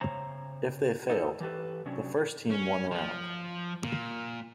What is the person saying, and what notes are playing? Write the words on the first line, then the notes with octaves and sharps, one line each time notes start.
If they failed, the first team won the round.
C#3 C5 C#5 A#5
D#4 A4 D#5
E3 G4 A4 B4
C3 F#3 C#4 D4
C#4
F3
A#2